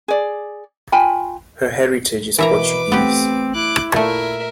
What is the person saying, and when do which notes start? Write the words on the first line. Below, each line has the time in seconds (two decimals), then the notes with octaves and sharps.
Her heritage is Portuguese.
0.08 G#4 D5
0.92 F4 G5 G#5 B5
2.39 B2 E3 A#4 B4 E5 A#5 B5 D6
2.92 A3 B3 C4 G4
3.55 E4 D6 F#6
3.92 A#2 A3 A#4 E5